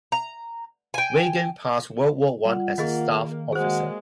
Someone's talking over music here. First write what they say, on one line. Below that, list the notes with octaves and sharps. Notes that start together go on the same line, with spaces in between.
Weygand passed World War One as a staff officer.
A#5
G5 G#5
G3 F4 F#5
D#3 A#3 G#4 D#5 F5
G#3 A#3 F#4 G#4 C5 F#5